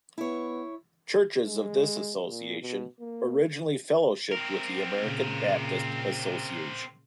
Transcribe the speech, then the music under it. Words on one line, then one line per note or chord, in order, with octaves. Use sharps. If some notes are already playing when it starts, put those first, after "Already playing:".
Churches of this association originally fellowshipped with the American Baptist Association.
B3 E4 C#5
G#3
A#2
B2
A#3
C4 A#4
A#2 C#3